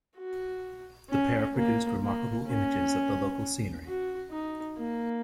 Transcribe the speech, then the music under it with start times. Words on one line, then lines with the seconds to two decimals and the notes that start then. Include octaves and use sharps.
The pair produced remarkable images of the local scenery.
0.17 F#4
1.10 C#4
1.56 A#3
2.01 A#3
2.47 C#4
3.85 F#4
4.30 D#4
4.77 A#3